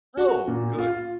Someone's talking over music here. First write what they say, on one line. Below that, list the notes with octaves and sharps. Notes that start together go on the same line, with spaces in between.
Oh, good.
F#4
A#2
F4